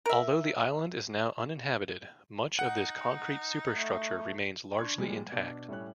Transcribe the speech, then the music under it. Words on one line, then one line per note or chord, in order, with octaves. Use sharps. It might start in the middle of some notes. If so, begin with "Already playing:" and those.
Although the island is now uninhabited much of this concrete superstructure remains largely intact.
A#4 E5
D#4 F#5
A3
D4 C6 C#6 G#6
A#2 F3 G3 G#3
B2 D4
A2 G3 C#4 C#5 F#6